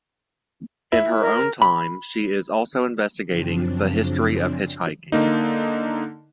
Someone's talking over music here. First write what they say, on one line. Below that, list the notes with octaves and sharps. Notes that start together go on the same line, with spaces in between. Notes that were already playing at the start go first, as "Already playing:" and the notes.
In her own time, she is also investigating the history of hitchhiking.
E4
A#4
B5
F#2 C#3 F3 C4 D4
D3 A#3 D#4